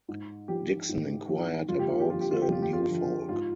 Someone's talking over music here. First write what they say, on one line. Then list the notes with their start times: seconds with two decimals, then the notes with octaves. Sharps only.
Dickson inquired about the "new folk."
0.08 G#2
0.48 F3 G4
0.89 G#2
1.28 F3
1.69 F2 F4
1.79 G4
1.90 F4
2.00 G4
2.08 D3 F3 F4
2.21 G4
2.31 F4
2.42 G4
2.49 F2 F4
2.62 G4
2.73 F4
2.88 D3 F3
3.28 G#2 F4